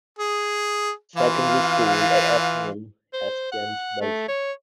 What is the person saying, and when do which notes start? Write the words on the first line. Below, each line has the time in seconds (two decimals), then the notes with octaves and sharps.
Secondary School at Atheneum at Ghent, Belgium.
0.19 G#4
1.16 E3 F4 F5
3.13 C5
3.52 F#5
4.01 A3
4.28 C#5